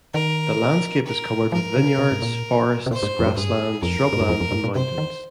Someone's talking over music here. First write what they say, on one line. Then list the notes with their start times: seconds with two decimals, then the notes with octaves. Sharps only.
The landscape is covered with vineyards, forests, grasslands, shrubland and mountains.
0.14 D#3 A#4
1.06 A#4
1.52 F3 A#4
1.75 C#3
1.98 C3
2.12 G#2
2.22 A#2
2.86 C3
2.91 A#2 C5
3.03 G#2
3.19 F2
3.26 G2
3.37 G2 G#4
3.82 F2 A#4
4.13 G#2
4.21 G2
4.29 F2
4.40 F2
4.52 G2
4.64 A#2
4.75 C3 C5
4.98 D#3